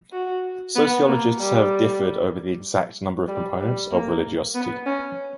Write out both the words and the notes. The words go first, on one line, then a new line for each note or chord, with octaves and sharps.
Sociologists have differed over the exact number of components of religiosity.
F#4
B3
A#3
G3
G3
G3
A#3
B3
C#4